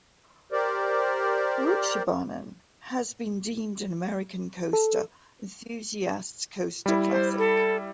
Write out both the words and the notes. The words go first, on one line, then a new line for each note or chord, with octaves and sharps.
"Rutschebanen" has been deemed an American Coaster Enthusiasts Coaster Classic.
G4 A#4 C5 D5
A4
G3 E4
C5
A4